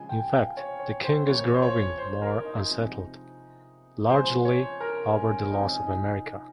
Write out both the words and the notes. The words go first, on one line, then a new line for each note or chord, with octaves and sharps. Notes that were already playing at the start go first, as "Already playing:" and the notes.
In fact, the King is growing more unsettled, largely over the loss of America.
Already playing: C#3 F3 G#3 G#5
G5
F5
C#5
C#5
C5
C#3 F3 A#3 C#5
C5
C#5
C5
A#4
D#4
C3 F3 G#3
C#3 F3 G#3 C5
C#5
A#4
C#4
C3 F3 G#3 D#4
C#4
C#4
D#4